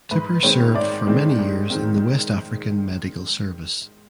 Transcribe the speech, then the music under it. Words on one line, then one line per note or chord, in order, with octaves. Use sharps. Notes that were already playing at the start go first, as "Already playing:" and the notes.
Tipper served for many years in the West African Medical Service.
G#2 B4
D#3 G#3 C4 C#5
G#2 D5
D#3 G#3 C4
G#2
D#3 G#3 C4